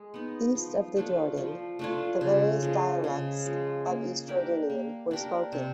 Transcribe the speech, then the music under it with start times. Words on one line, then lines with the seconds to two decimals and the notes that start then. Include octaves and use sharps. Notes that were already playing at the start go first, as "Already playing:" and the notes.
East of the Jordan, the various dialects of East Jordanian were spoken.
Already playing: G#3
0.14 B3 D#4
0.55 F3
0.97 A3 D4 F4
1.38 F3
1.79 A3 D4 F4
2.21 C#3
2.62 F3 G#3
3.04 C#3
3.46 F3 G#3
3.86 A#3
4.28 D4 G4 A#4
4.70 A#3
5.11 D4 G4 A#4
5.53 C3